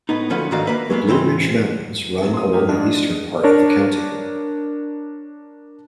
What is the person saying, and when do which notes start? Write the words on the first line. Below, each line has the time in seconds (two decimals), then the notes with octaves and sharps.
The Blue Ridge Mountains run along the eastern part of the county.
0.09 A2 B3 D#4
0.30 D2 F3 C#4 A4 B4 F#5
0.51 G#2 D3 D#3 F#4 D5 F5
0.66 A#3 B4 E5
0.90 F#3 G#3 A#3 B3
1.07 G#2 E3 C4 C#4 C6
2.21 A1 C3
2.33 C6 D#6
2.52 A3 A#3 G4
2.69 G#2 F3 D4 D#4
3.43 D4 A#4 C#5